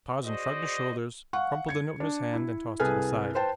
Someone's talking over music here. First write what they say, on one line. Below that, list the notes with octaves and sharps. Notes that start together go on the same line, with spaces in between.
Tarzan shrugged his shoulders, crumpled the note in his hand and tossed it aside.
F#4 G#4 C5 D5 D#5
F5 F#5 C#6
G#6 C#7
D4
E4
C2 G#4 A4 B4 G#5 F6
B4 C5 G5 A5